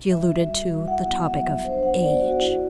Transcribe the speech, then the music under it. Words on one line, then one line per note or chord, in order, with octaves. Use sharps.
She alluded to the topic of age.
G3 E5
F#4
G3
F#4
E4 F#5
B3
F#5
F#3 E5
F#3
D4 C5
B3 F#5
B3 D5
F#4
E4